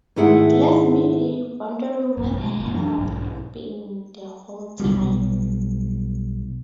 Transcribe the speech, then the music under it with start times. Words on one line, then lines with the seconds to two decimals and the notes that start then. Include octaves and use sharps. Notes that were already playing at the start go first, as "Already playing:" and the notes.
It left me wondering where the hell I'd been the whole time.
0.16 G#2 D#3 A3 E4 G#4 F#5
2.17 A#1 F#2
2.29 B2 A3
2.43 G#3
2.59 F#1 A#2
2.72 E3 F#3 D4
2.98 B1 G#2
4.80 B1 G3